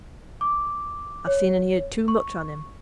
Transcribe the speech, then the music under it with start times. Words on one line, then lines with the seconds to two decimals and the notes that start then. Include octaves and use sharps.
'I've seen and heerd too much on him.'
0.41 D6
1.27 C#5
2.08 C#6